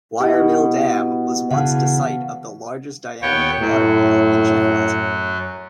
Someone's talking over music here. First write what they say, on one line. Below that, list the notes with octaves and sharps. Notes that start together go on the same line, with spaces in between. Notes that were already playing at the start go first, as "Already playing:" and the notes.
Wiremill Dam was once the site of the largest diameter water-wheel in Sheffield.
B2 E4 G4 B4 D#5
C#3 E3 G#4 F5 F#5 A5
D#2 B3 C#5 G5
F#2 A2 F#3